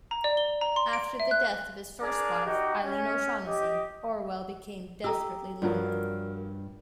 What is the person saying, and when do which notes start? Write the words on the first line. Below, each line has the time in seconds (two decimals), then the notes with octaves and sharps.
After the death of his first wife Eileen O'Shaughnessy, Orwell became desperately lonely.
0.11 A#5
0.24 D5
0.37 G7
0.61 A#5
0.76 C6
0.93 D7
1.20 E5
1.31 F#6
2.00 D4 G#4 A#4 D5
2.45 D#4 F#4 G4 D#5
2.84 C#4
3.46 G4 D#5
5.04 G4 A4 A#5 E6
5.62 G2 F3 F#3 A#4